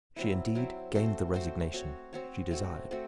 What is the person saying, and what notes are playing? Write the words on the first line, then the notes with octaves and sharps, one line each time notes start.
She indeed gained the resignation she desired.
F#3 C4 E4
F#3 C4 E4
A3 C4 F#4 C5
A3 C4 F#4 C5
C4 F#4 C#5
C4 F#4 C#5
A3 C4 F#4
A3 C4 F#4